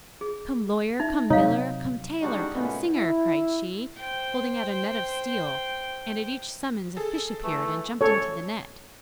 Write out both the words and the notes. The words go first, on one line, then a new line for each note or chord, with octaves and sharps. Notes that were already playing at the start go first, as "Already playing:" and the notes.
'Come lawyer, come miller, come tailor, come singer!' cried she, holding out a net of steel; and at each summons a fish appeared and jumped into the net.
G#4
D#4 E5
C3 F#3 D#4 C#5 F5
C#3 G3 G#3 D4 D#4 F#4
A#2 C#3 G#3 A3 B3 D#4
E4
C5 G5
G#4 A4
E3 A3
A4 C#5